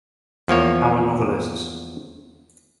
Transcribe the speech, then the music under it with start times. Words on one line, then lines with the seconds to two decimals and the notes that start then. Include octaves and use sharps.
Our novelists.
0.48 E2 F3 A#3 C#5